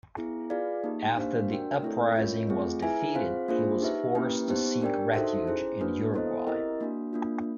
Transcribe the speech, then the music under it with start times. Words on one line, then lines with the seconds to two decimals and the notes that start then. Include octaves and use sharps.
After the uprising was defeated, he was forced to seek refuge in Uruguay.
0.17 B3 E4 G#4
0.50 F4 G#4 B4 D5 F5
0.84 A#3 D#4 G4
1.16 A#3 D4 G4 C5 F5
1.50 D4 F#4 A#4 D5 G5
1.82 A3 C4 E4 A4 C#5
2.17 A3 C#4 F4 A#4 C#5
2.49 A3 C4 F4 G#4
2.82 E4 G#4 B4 E5 G#5
3.15 C4 F4 G#4 C5 F5
3.48 A#3 D4 F4 G#4 C5
3.82 D#4 G4 B4 E5
4.15 A#3 C#4 E4 G4 B4
4.48 B3 D#4 G4 C5
4.81 D4 G4 A#4 D5 G5
5.14 D#4 F#4 A4 C5 E5
5.47 C#4 E4 G#4 C5
5.81 A#3 D4 F#4 B4
6.14 B3 E4 A4 C5 D#5
6.47 C4 E4 G4 A#4 D#5
6.81 A#3 D4 F#4
7.13 A#3 D4 F4